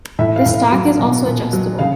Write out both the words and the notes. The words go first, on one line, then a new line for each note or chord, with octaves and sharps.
The stock is also adjustable.
A2 E5
F5
A2
F5
F#3
B2
A#2
F#3
C#3 F5